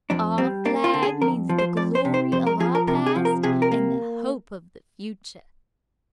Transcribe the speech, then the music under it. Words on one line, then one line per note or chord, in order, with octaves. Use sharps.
Our flag means the glory of our past and the hope of the future.
F2 D4
G3 C4
A#3 D4
F4
D3
G#4
F2 A#4
F3
C5
F2 D5
C5
C3
C5
F2 C5
A#4
F3 G#4
A#4
C3 A#4
G#4
F3
A#4
C3 G#4
A#4
A#3